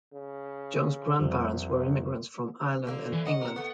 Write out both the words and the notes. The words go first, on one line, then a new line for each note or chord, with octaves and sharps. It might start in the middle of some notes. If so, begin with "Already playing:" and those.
John's grandparents were immigrants from Ireland and England.
C#3
C2 F2 F3 G3
D3 A#3
E3
D#5 F#5
C3 A#4
A3 B3